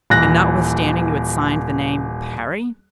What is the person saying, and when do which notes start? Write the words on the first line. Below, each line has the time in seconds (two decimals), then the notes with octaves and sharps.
"And notwithstanding you had signed the name Parry?"
0.10 D#1 E3 F#6 A#6